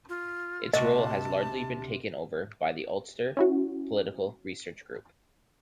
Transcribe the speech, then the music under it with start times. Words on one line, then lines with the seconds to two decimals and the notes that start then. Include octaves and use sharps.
Its role has largely been taken over by the Ulster Political Research Group.
0.09 F4
0.74 D2 C3 F#4 D#5 A5
3.37 C#4 E4 F#4